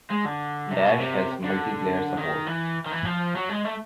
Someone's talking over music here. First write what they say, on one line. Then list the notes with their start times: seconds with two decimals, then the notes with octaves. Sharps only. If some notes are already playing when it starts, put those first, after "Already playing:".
"Dash" has multiplayer support.
0.11 G#3
0.25 D3
0.71 C3
0.86 B2
1.00 C3
1.44 D3
2.17 D#3
2.46 E3
2.86 D#3
2.91 E3
3.05 F3
3.36 F#3
3.50 G#3
3.65 A3